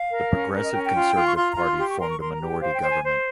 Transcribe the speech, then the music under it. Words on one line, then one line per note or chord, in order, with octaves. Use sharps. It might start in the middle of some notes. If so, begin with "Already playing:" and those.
The Progressive Conservative Party formed a minority government.
Already playing: F5
A#4
C#4
A#4
D#5
C#4 G5
G5
F4
F4
C#6
F4 C6
A#5
F4
C6
G4 C6
C#6
A#4 C6
C#6
A#4 C6
A#5
G4
G5
C5 F5
G5
C5
G#5
C5